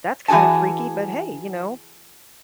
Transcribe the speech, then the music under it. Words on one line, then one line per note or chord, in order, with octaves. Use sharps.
that's kinda freaky, but hey, you know,
E3 F#4 G#4 G#5 A5